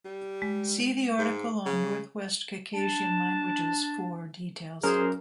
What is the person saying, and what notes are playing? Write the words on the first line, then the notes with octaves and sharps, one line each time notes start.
See the article on Northwest Caucasian languages for details.
G3
G#3
G#2
C#3
D4 A5
F#3 C#4 G#4 A#4 C5